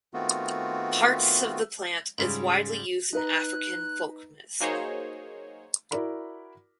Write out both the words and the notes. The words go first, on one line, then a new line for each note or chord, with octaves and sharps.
Parts of the plant is widely used in African folk medicine.
D#3 A3 B3 C4 F4 F#4
G#2 C#3 G3 G#3
D#4 B4 A#5 F#6
F#3 A#3 D#4 G#4 C5 C#5
E4 F#4 A#4 D5 B5